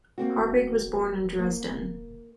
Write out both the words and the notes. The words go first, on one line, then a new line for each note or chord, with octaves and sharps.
Harbig was born in Dresden.
A#3 C4 F#4
A#3